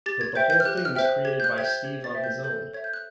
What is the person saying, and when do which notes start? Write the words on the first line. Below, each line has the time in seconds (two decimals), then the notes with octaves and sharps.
But the whole thing was created by Steve on his own...
0.06 G4 A6
0.21 G#6
0.35 C5 E5 G5 G6
0.50 G6
0.60 F6
0.65 G4 F#6
0.78 F#6
0.85 F6
0.96 C5 E5 G5 F6
1.05 F#6
1.25 G4 G#6
1.40 G6
1.44 F#6
1.55 C5 E5 G5 G#6
1.65 G6
1.84 G4 G#6
2.04 A6
2.14 C5 E5 G5
2.24 G6
2.44 A4 G6
2.74 C#5 E5 G#6
2.84 G6
2.93 F#6